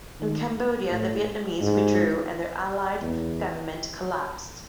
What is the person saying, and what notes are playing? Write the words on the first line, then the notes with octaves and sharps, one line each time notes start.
In Cambodia, the Vietnamese withdrew and their allied government collapsed.
D#3
A2
G#2
E2